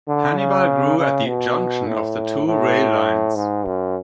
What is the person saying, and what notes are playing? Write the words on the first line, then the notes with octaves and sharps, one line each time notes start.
Hannibal grew at the junction of the two rail lines.
D3
C#3
C#3
B2
A2
A2
G#2
F#2